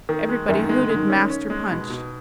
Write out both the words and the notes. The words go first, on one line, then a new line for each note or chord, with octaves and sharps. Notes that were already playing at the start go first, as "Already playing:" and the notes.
Everybody hooted Master Punch.
D#3
G#3
F#2 D#3
G#2 G#3
D3
G#3
D#3
C#4
C#4
G#3
B2
B2